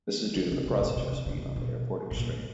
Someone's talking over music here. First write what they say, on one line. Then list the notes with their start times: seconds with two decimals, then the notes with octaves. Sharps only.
This is due to the processor speed on the AirPort Extreme.
0.36 D3
0.51 C#3
0.66 C3
0.81 A#2
0.96 C3
1.12 C#3
1.26 C#3
1.42 C3
1.56 B2
2.11 A2
2.17 A#2